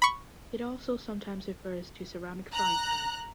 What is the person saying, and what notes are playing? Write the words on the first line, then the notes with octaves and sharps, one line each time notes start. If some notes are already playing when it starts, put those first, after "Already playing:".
It also sometimes refers to ceramic frying pan.
B5 C#6
A#5 F#6